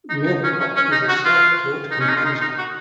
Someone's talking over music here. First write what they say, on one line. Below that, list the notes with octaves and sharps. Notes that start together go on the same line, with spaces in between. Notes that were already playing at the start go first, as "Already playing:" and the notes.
Milbrodt is a self-taught composer.
D#4
D#4
C#4
C#4
C#4
D#4
F#4
F4
D#4
C#4
D#4
F4
D#4
D#4
F#4